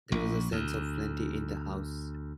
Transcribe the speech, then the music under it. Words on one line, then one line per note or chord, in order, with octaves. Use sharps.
There was a sense of plenty in the house.
A#1
D2